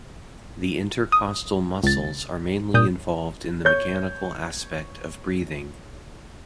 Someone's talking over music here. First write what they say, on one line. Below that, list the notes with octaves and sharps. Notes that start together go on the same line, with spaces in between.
The intercostal muscles are mainly involved in the mechanical aspect of breathing.
D#6
C#2 A6
A#2 D#6 G6
C#5 G6